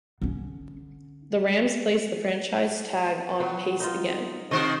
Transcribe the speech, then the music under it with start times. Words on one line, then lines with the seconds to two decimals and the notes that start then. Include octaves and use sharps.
The Rams placed the franchise tag on Pace again.
0.22 D3 C#4
3.40 F#3 B3
3.80 D#4 F4
4.51 C3 D#3 F#4 C5 C#5 D#5